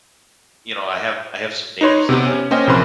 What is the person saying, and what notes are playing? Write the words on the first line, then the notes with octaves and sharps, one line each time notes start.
you know, I have I have some neighbors that, like,
D#4 B4 C#5 C6
C3 B3 C4 G4
C#4
A#3 C#4 C5 D#5 G5
A#1 C3 E3 A#4 B4 C6